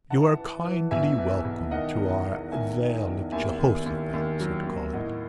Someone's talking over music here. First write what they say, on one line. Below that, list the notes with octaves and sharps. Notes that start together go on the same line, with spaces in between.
You are kindly welcome to our Vale of Jehoshaphat, so to call it.
E3 F#5 A5
E3
E3
B1 E5 G#5
E3
B1
D#3 D#5 F#5
E2
D#3
D#3 E5 G#5
D#3
E2
D#2 E5 G#5
D#2
D#2
D#2
F#3
D#2
A2 D#5 F#5